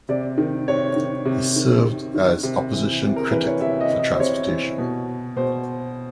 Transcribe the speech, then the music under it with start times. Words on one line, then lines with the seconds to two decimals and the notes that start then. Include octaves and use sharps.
He served as Opposition Critic for Transportation.
0.09 C3 D5
0.38 D#3
0.68 C3 C#5
0.96 D#3
1.25 C3
1.56 D#3
1.85 C3
2.15 D#3
2.43 C3
2.73 E3
3.03 C3
3.16 A#4
3.31 E3 B4
3.47 C#5
3.60 C3 E5
3.81 D#5
3.90 E3
3.99 D#5
4.14 C5
4.20 C3 C#5
4.48 E3
4.78 B2
5.36 B2 C5